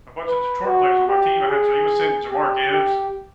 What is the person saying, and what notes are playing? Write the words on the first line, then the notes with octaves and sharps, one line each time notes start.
a bunch of Detroit players on my team; I had Jameson, Jamar Gibbs.
B4
F#4
G4
G#4
G4
G4